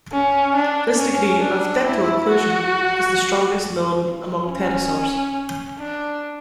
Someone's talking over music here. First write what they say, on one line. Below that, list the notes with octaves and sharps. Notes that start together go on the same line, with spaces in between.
This degree of "dental occlusion" is the strongest known among pterosaurs.
C#4
D4
C#4
D4
E4
F#4
C#4
D4